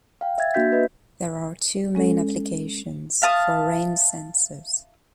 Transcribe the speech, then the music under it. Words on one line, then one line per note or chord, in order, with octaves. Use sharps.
There are two main applications for rain sensors.
F5 G5
E5 G#6 A6
A#3 D4 F#4 E5 G6 B6
B4 D#5
G#3 C#4 A4
E5 F5 A5 D#6